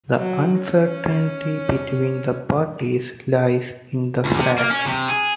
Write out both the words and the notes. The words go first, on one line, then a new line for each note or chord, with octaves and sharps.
The uncertainty between the parties lies in the facts.
F#3
C#4
C#2
C3
A#3
C#4
C3
G#4